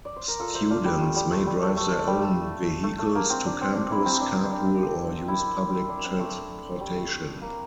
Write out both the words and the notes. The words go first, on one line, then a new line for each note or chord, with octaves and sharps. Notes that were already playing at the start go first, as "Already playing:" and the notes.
Students may drive their own vehicles to campus, carpool, or use public transportation.
D5
C5
A#4
F4 A4
C5 E5
D4 F4
G3
A3
G3
A3
G3
A3
A3
A3
G3
A3
A3
A3
A#3
C4
D4
C4
D4
E4
C4
D4
D4
E4
D4
C4
A3
G3
A3
A#3